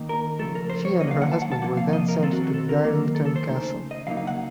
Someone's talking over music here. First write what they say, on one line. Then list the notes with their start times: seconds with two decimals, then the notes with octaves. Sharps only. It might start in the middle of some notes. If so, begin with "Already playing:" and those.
She and her husband were then sent to Dirleton Castle.
Already playing: D#3 A#3 D#4
0.09 A#4
0.39 C#3 F3 A3 A4
0.55 A#4
0.70 C5
0.85 C#5
1.01 D#3 F#3 A#3 D#4 D#5
1.11 F5
1.22 F#5
1.32 A5
1.42 F#5
1.52 A5
1.62 C3 F3 A#3 F#5
1.77 F5
1.93 D#5
2.08 A#4
2.23 D#3 A3 C4 A4
2.33 F#4
2.44 F#4
2.54 A4
2.69 A#4
2.84 D#3 F#3 A#3
3.15 A4
3.25 A4
3.36 C5
3.46 C#3 A3 D#4
3.91 D#5
4.07 C#3 F#3 A#3 D#4 F5
4.17 F5
4.27 F#5